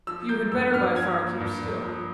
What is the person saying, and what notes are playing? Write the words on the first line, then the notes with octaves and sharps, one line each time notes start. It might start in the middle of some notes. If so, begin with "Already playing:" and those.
You had better by far keep still.
F3 E6
A#3 G6
G2 E6
G2 F6
F3 G#6
A#3
G2
G2
F3